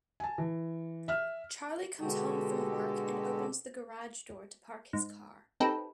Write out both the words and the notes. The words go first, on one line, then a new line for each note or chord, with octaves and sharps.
Charlie comes home from work and opens the garage door to park his car.
G#5 A5
E3
E5 F6
B2 D3 G#3 F#4 G4 A4
G#2
C4 D#4 G4 A4 B4